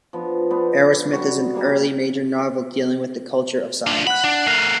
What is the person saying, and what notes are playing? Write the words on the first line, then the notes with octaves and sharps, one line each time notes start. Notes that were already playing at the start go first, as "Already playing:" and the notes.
"Arrowsmith" is an early major novel dealing with the culture of science.
F3 B3 D4
B3 D4 C5
F#3 G3 F#4
C#3 G3 A#3 F5
D4 F4
F#5 B5 F#6
D4
A3 A#4 F#6 C7